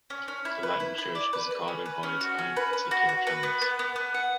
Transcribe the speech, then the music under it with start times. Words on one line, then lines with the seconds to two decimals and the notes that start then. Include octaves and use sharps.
The Latin Church is guided by its own particular Canons.
0.10 C#4
0.28 C#4
0.45 E4
0.63 B4
0.80 E4
0.98 E4
1.15 D5
1.33 B4
1.51 B4
1.68 C#4
1.86 B4
2.03 C#4
2.21 F#4
2.39 C#4
2.57 B4
2.73 B4
2.91 F#4
3.09 F#4
3.27 B4
3.43 B3
3.62 B3
3.79 B3
3.96 B3
4.14 F#5